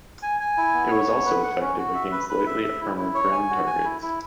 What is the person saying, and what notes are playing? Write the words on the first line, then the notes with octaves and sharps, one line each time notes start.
It was also effective against lightly armored ground targets.
G#5
G#5
E4
B3
C#5
B3
B4
F#5
C#4
F#4
E5
B4
B4
E5
E5
E4
E4
C#5
G#5
F#4
G#5
E4
E4